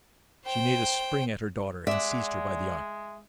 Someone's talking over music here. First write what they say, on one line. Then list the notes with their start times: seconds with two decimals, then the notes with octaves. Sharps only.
She made a spring at her daughter, and seized her by the arm.
0.45 C5 G5
1.87 G#3 D5 E5 F#5